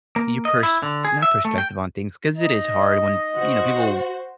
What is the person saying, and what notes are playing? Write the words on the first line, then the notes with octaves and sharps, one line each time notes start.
your pers not perspective on things, 'cause it is hard when, you know, people
A#3
D#5
E4
D3
G#4
E5
A3
G5
D#4 D#5
F#4 C5